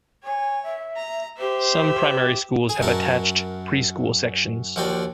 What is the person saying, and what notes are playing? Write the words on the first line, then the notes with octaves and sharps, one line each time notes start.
Some primary schools have attached preschool sections.
C#5 G#5
E5
A#5
G4 C5 E5
G#4
F#2 F#4 A#4 A5
D#2 F3 F#4 D5 G5